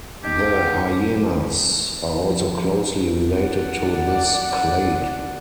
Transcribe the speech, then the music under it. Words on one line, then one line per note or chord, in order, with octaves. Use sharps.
The hyenas are also closely related to this clade.
D#4 G4 D#5
A4 F5
F#5 G5
F#4 G#5 D6
F3
D5 F#5